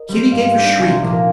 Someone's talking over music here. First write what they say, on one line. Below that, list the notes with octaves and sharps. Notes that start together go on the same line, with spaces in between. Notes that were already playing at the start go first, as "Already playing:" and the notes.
Kitty gave a shriek.
Already playing: A#4 D#5
G3 C4
G#2 F5
G3 D4 G5
C2 G#5
C5
A#2 F3 A#3 D4 C5
A#4